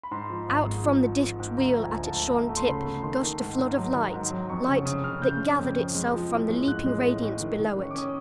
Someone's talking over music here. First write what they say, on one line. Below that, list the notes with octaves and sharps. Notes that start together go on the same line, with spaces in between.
Out from the disked wheel at its shorn tip gushed a flood of light--light that gathered itself from the leaping radiance below it.
B5
G#2 C6
F3
G#1
G#3
F3
F3
F3
G#2
D2 A#5
F3
G#5
D2
A5
D2
D2 A#5
A3
C6
C#3 B5
A3
D#3 C6
D#3
G#2
G#2
F#3
D#3
G#2
F#3
F2 C#6
C#3 C#6
C#3 D#6
C#3 F6
C#3 G6
C#3
F2
F2
G#3
F3
A2
G#3
A1 F#6
G#3
A2
A2
D#3
D#3
C#4
C#6
D6
C#4 D#6